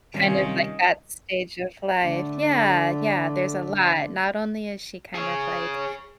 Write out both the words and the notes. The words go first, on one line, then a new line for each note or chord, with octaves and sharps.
kind of like that stage of life. Yeah, yeah, there's a lot. Not only is she kind of, like,
C3 D#3 G3 C#4 F4
D3 A3
G#4 C#5